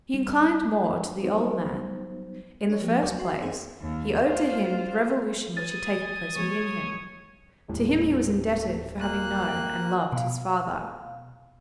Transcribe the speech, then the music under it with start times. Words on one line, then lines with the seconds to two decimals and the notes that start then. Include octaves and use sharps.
He inclined more to the old man. In the first place, he owed to him the revolution which had taken place within him; to him he was indebted for having known and loved his father.
0.13 G3 C#4 D4
1.23 F#3 G3 B3 D#4 C5
2.70 D4 A#4 C#5
2.81 F3 A#3 G4
3.03 D2 F#3 G5 C#6 D6 G6
3.18 F#4 C6 C7
3.42 F#2 D#4 G#4 E5 C6
3.81 D#2
4.27 F4 C5
5.57 B4 C#5 G#5 D#6 F6 A6
6.36 F3 G#3 A#3 C#5
7.68 D#1 A2
9.00 A#3 F#6
9.48 G5
10.12 B2 F5